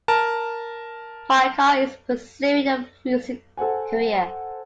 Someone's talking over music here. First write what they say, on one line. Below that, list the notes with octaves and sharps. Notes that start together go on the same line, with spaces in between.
Pacar is pursuing a music career.
A#4 A5
A4 C5 F#5 G#5